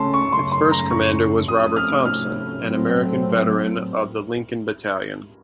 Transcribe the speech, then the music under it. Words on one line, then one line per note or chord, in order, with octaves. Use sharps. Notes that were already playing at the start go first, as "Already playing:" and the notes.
Its first commander was Robert Thompson, an American veteran of the Lincoln Battalion.
Already playing: C#3 A3 C#4 A5 C6
C#6
F#2 C#3 A3 C#4 C6
C6
A#5
C#6
C3 F3 A3 C#4 D#6
F6
F6
A2 F#3 A3 C4